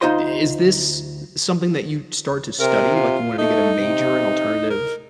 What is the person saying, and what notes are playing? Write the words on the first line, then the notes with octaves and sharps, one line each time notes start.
i is this something that you'd start to study? Like, you wanted to get a major in alternative
D2 D#4 F4 C5 D#5 C6
C3 A#4
F4
A3 D#4
C3
A#4